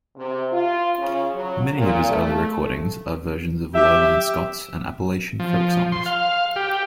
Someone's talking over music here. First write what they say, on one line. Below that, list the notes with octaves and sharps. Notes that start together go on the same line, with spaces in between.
Many of his early recordings are versions of Lowland Scots and Appalachian folk songs.
C3
F4
C#3
F#3
A#2
A3
G4 E5
F3
C6
F5
G4